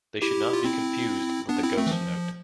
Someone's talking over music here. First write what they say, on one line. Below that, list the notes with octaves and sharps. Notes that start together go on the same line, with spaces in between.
They should not be confused with a ghost note.
E4 G4
F4
C4 E4
B3 D4
C4 E4
A3 C4
E3
F3